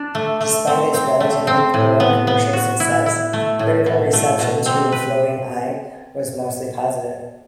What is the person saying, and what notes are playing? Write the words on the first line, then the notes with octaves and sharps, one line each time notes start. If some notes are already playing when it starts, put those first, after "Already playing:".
Despite its relatively poor commercial success, critical reception to "Floating Eye" was mostly positive.
Already playing: D4
A3
A3
C4
C4
A3
C4
A2
B3
B3
F#4
E4
E4
A3
A2
B2
A3
B2
C4
B4